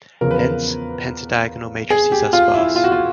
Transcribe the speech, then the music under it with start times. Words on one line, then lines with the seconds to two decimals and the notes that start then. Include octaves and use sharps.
Hence, pentadiagonal matrices are sparse.
0.21 E2 C#3 F3 A#4
0.31 B4
0.38 A#4
1.90 G#4
2.12 G4
2.33 F4
2.54 E4
2.76 F4
2.84 F#4
2.92 F4